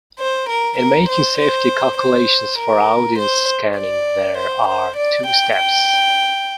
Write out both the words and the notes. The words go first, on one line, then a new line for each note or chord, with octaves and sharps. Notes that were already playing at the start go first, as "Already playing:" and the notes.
In making safety calculations for audience scanning, there are two steps.
C5
A#4
A#4
C5
C5
C5
A#4
C5
D5
C5
C5
D5
G5
G5